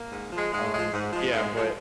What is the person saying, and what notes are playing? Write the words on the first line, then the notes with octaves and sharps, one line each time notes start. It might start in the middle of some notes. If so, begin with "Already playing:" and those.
Um, yeah, but
Already playing: A#3
G#2
F3 G#3
G#2 G#3
F3 G#3
G#2
F3 G#3
G#2 G#3
F3 G#3